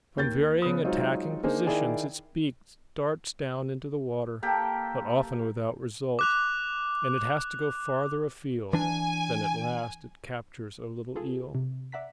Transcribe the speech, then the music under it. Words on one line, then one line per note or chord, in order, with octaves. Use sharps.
From various attacking positions its beak darts down into the water, but often without result, and it has to go farther afield; then at last it captures a little eel.
D#2 G6 A6
C#3 B3 D#6
F#3 G#3 C4 D#4 F4
A#3 D4 D#4 G#4 C5
D#3 E4 G#4 D5
A#3 G4 A4
D6 F#6 F7
E3 D4 G#5
F4 G#4 A4
C3
D5 E5 F#5 A#5 B6